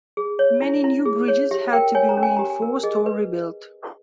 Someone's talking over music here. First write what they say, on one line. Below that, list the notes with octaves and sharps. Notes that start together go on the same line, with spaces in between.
Many new bridges had to be reinforced or rebuilt.
G#4
C#5
E4
E4
G#4
C#5
G4 E5
A#4 G5
C#5 G#5
A#5
C#4
G#5
G4 A#5
G#5
A#4
G#4 D#5
B4